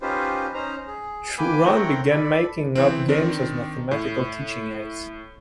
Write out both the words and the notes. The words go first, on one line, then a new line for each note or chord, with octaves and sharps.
Truran began making up games as mathematical teaching aids.
C#4 D#4 F4 G4 B4 C5
C#4 D#4 C5 A#5
G#4
A#3 B4 G5 G#5 B5 D6
A3 C4 A#4 C#5 F#5 G5
A4 D5 B5
E3 C4
D#3 C4 D4
A2